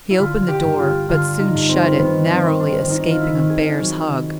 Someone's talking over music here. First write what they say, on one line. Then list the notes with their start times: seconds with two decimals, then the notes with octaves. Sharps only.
He opened the door, but soon shut it, narrowly escaping a bear's hug.
0.11 E4
0.18 D3 F4
0.48 G4
0.63 G2
0.79 F4
1.09 D3 F4
1.40 D#4
1.54 G2
1.69 C4
1.99 D#3 B3
2.30 C4
2.45 D#3
2.60 D4
2.89 D#3 D#4
3.11 F4
3.20 E4
3.35 D#3
3.50 G#4
3.80 F#3